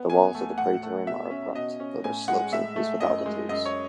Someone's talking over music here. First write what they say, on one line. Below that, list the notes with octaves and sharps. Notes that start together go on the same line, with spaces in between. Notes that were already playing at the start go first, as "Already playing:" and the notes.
The walls of the crater rim are abrupt, although their slopes increase with altitudes.
Already playing: B3
E2 G#5
A3
A2 F#5
A3
B2 E5
C#4
B2 D#5
C#4
A2 G#5
G#3 F#5
A2 E5
A3
F#2 D#5
G#3
F#2 D#5
C#5